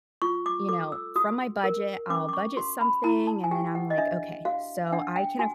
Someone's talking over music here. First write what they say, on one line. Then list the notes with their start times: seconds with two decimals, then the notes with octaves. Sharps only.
you know, from my budget, I'll budget something, and then I'm like, "Okay, so I can aff"
0.22 F4 C#6
0.46 D6
0.69 A4 D6
0.92 E6
1.16 F#4 D#6
1.64 A#4
2.10 C#4 D6
2.29 D6
2.33 C#6
2.57 F#4 C6
2.81 B5
3.04 E4 A#5
3.27 A5
3.44 G#5
3.51 G4 G5
3.75 F#5
3.90 D#5
3.98 D4 E5
4.45 F#4 F5
4.92 D4 F#5
5.16 G5
5.39 F#4 G#5